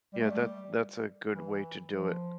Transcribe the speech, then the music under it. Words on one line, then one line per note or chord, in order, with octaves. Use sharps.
Yeah, that that's a good way to do it.
G3
A3
G3
E3
F3